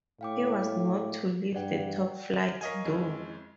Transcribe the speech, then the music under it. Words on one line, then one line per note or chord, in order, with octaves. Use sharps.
He was not to leave the top flight, though.
A2 F5 G5 D6
G2 D5 F#5 G5
A#4 C#5 D#5 F5 G#5
F2 G#3 C#4 E4